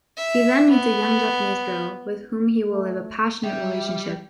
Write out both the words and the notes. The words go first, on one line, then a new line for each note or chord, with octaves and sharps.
He then meets a young Japanese girl with whom he will live a passionate relationship.
E5
B3
A3
G3 E5